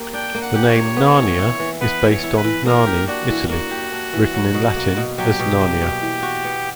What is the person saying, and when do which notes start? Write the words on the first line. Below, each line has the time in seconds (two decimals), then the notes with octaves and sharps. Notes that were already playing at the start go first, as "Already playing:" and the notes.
The name "Narnia" is based on Narni, Italy, written in Latin as "Narnia".
Already playing: A#3 G4
0.13 D4 G5
0.35 A#3
0.42 F#5
0.55 G4
0.69 C#5
0.76 A#3
0.97 B3
1.18 E3
1.39 E4
1.60 E3
1.81 B3 B4
2.02 E3
2.10 C#5
2.23 E4
2.37 B4
2.44 E3
2.65 A#3 A#4
2.86 G4
3.07 D4 F#4
3.29 E3
3.49 A#3 F#4
3.71 G4
3.92 D4
4.13 E3
4.34 F#3
4.54 B2
4.76 A#3
4.97 B2
5.18 F#3 G4
5.39 B2
5.60 A#3
5.81 B2
6.02 E3
6.23 F#4
6.44 B3